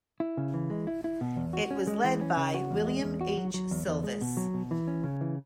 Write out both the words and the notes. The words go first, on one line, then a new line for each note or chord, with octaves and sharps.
It was led by William H. Sylvis.
E4
C#3
E3
G#3
E4
E4
B2
E2
F#4
C#4
G#3
E3
C#4
C#3
F#4
E2
G#3
E2
F#4
F#3
F#3
E2
E2
G#3
B2
F#3
B2
E3
C#4
C#3
E3